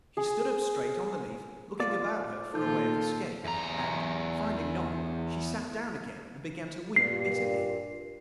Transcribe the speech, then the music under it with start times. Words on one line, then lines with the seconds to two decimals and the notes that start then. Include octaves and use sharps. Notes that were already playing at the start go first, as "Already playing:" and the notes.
She stood up straight on the leaf, looking about her for a way of escape, and, finding none, she sat down again and began to weep bitterly.
0.17 G#4
1.80 F4 D5
2.54 A#2 D#3 D#4 F4 A4 G6
3.45 E2 A#5
6.96 G2 A#2 C7